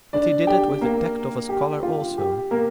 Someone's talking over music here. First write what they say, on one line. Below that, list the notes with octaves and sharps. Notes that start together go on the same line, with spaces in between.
But he did it with the tact of a scholar also.
D4 D5
G4 G5
A#3 A#4
G4
F4
G4
A#3 A#4